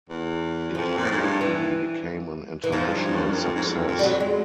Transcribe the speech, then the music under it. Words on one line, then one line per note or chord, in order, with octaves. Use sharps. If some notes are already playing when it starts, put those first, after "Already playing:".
It quickly became an International Success.
E2
F2 F3
A#2
A2
G#2
G2
E3
E3
G#2 F3
G#2
G2
F#2
G2
F#2
F2
G#2
E2
F2
F2
G3
F2 F#3
G#3